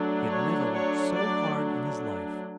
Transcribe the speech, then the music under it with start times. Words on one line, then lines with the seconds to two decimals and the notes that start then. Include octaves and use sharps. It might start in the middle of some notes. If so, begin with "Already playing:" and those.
He had never worked so hard in his life.
Already playing: F#3 A3 D4
0.30 C#5
0.72 C#5
1.15 D5